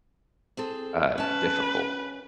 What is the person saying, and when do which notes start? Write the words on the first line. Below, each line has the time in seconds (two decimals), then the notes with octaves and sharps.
uh, difficult.
0.57 C4 G#4 A4
1.18 C#4 B4 A5